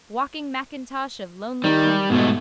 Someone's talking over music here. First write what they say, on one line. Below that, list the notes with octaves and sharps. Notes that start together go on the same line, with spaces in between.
Walking Mackintosh of lonely canyon.
D#3 G3
G#2 B2 A3